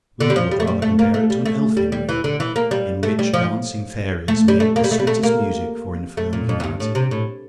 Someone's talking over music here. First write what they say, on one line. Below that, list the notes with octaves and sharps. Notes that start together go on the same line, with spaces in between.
We would rather compare it to an elfin ring, in which dancing fairies made the sweetest music for infirm humanity.
D3
G3
F3
G3
A3
G3
A3
A#3
A3
G3
A3
G3
G3
E3
D3
E3
A#3
G3
A3
G3
F3
A3
G3
A3
A#3
G3
A3
G3
A3
A#3
A3
A#2
F2
F2
G2
A2
C3
A2